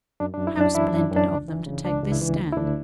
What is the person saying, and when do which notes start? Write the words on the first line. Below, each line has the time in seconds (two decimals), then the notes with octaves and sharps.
How splendid of them to take this stand!
0.20 F#2 D4
0.34 D4
0.38 F#2
0.47 E4
0.57 F#2 D4
0.75 E3 E4
0.88 D4
0.93 F#2
1.11 F#2
1.16 D4
1.30 C#2
1.48 E3
1.66 C#3
1.85 C#2 D4
2.03 C#2
2.12 E4
2.21 E3
2.39 D2
2.52 E4
2.57 D2 D4